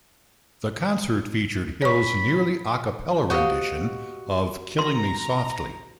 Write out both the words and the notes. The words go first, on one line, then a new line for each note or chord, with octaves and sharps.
The concert featured Hill's nearly a cappella rendition of "Killing Me Softly".
C#5 B5 C#6
F#4 G4 C5 D#5 F5
A#5 C6